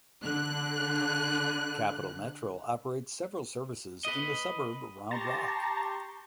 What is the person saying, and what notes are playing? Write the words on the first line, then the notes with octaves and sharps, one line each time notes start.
Capital Metro operates several services in the suburb Round Rock.
D3 F#6
B4 D#5
G4 A5 A#5 C6 C#6